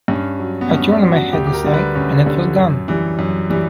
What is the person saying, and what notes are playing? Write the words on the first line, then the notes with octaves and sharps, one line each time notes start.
I turned my head aside, and it was gone.
G2 C#4
F#3
B3
G2 C#4
D4
F#3
F#4
D2 G4
G4
A#4
D3 G3
B4
D2 C#4
D3 G3
F#2
E3 G3
F#2
E3 G3